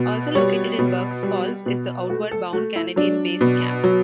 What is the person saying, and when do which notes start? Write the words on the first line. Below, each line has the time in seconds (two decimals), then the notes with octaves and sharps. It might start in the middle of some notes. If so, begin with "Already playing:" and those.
Also located in Burk's Falls is the Outward Bound Canadian Base Camp.
Already playing: B2
0.35 G3 C#5
0.79 B2
1.23 G3
1.66 B2
2.09 A3 F#4
2.31 A4
2.53 A3 F#4
2.76 E4
2.96 F#3 D4
3.41 B2
3.84 F#3